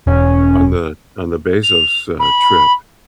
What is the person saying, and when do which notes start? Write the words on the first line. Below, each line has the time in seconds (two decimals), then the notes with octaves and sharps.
o on the on the Bezos, uh, trip.
0.07 E1 C#4
1.63 F7
2.19 B5